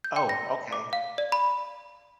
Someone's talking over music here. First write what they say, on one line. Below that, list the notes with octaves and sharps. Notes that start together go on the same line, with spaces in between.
Oh, okay.
G6
G5
A#6
D6
F5
D5
B5